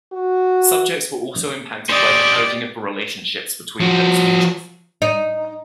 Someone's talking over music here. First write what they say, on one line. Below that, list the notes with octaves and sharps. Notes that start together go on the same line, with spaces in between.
Subjects were also impacted by the coding of the relationships between those features.
F#4
C#4 E4 G4 C5 D5 D#5
F3 F#4
D#4